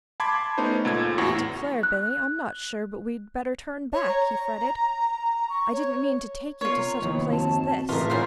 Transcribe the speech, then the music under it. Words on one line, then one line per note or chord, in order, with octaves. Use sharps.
"I declare, Billy, I'm not sure but we'd better turn back," he fretted. "I didn't mean to take you to such a place as this."
A5 B5 C6 D6 G#6
A3 B3 C#4 D#4 C5
C#2 A#2 A4 G#6
E2 A2 F#4 C#6 A#6
F#6
C#5
A#5
C#6
C#5
B3 F4 A#4 C#5
C3 A#5
D#2 F3 B3 E4
F#2 C4 F#4 A5
A1 C#3 E3 F4 A#4 E5
B3 C#4 F4 A#4 C5